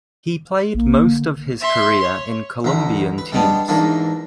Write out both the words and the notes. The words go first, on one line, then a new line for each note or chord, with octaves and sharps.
He played most of his career in Colombian teams.
A#1 A#3
D3
E5 C6
C#5
A1 D2 A#5 B5
B4
G3 G#3 B3 D4
E2 G#2 A#3 D4